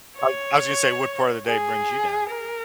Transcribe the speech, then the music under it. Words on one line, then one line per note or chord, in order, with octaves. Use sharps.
I I was gonna say, what part of the day brings you down?
C#5
G#4
A#4